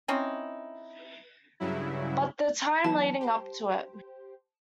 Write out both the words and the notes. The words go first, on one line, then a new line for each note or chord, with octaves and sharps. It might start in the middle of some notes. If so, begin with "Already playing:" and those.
But the time leading up to it.
C4 C#4 D#4 E4
G2 C#3 F#3 E4
E3 F#3 B3 A5
G4 C5